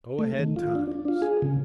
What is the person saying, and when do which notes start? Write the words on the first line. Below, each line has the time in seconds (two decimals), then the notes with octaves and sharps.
Go-ahead Times!
0.19 A3
0.39 D#3
0.56 F4
0.75 D4
0.92 D4
1.08 F4
1.22 G#4
1.42 C#3